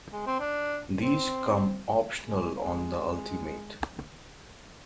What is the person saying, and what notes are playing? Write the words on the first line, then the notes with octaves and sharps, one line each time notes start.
These come optional on the Ultimate.
G#3
C4
D4
C4
G#3
A#3
G#3